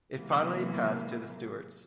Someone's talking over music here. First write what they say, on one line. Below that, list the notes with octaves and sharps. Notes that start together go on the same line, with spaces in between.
It finally passed to the Stewarts.
C3 E3 F#3 G#3 A#3 B3